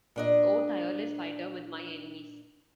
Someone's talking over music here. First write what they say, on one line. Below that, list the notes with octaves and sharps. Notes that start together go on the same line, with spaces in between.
O tireless fighter with my enemies!
A#2 D4 D#5